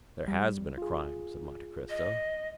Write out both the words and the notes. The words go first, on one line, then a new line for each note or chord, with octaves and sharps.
"There has been a crime," said Monte Cristo.
G3
F4 G#4
D#5